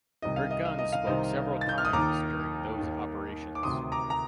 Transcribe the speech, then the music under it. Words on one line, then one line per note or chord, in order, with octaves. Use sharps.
Her guns spoke several times during those operations.
C2 C3 D#3 D#5
F5
D#5
F5
D#5
F5
C2 C3 D#3 C5 D#5
A6
G6
F6
D#6
D#2 D#3 A#5 D6
D#2 D#3
D6
D2 C3 D#3 C6 D#6
A#5 D6
A#5